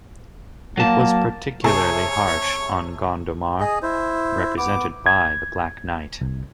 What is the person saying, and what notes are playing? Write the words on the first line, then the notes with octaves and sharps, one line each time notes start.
It was particularly harsh on Gondomar, represented by the Black Knight.
F#3 A#3 A5
C3 G#4 C#5 A5
G#4 D#5
E4 C5
B3 D6
G#6
C2